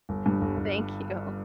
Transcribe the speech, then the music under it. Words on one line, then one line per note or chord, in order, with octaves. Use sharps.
Thank you.
G1
G2
G1
G1